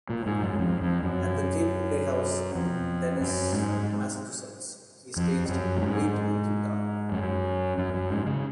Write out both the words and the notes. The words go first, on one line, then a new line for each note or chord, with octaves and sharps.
At the Cape Playhouse in Dennis, Massachusetts, he staged "Wait Until Dark".
A#2
G#2
F#2
F2
F2
F#2
F2
F#2
G#2
F2
F#2
A#2
G#2
F#2
F#2
F#2
G#2
C#3